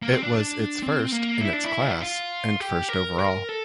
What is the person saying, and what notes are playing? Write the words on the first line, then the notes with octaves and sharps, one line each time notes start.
It was its first in its class and first overall.
A#3
C4
D4
C4
A#3
E4
D4
E4
D4
E4
F4
G4
A#4
A#4
A4